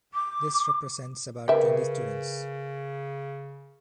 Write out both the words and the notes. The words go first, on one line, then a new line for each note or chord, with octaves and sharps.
This represents about twenty students.
D6
C#3 G4 A#4 B4 E5